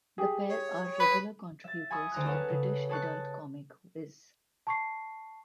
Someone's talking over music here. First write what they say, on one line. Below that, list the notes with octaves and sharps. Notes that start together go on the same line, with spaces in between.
The pair are regular contributors to the British adult comic "Viz".
G4 G#4
C#5
B4
E5 A6
G#5 B5 C#6 D#6 E6
D2 A#5 F#6
C#4 G#4 A4 B4 F#5
C#3
G#4 A5 C#6 F#6
A5 C#6 C7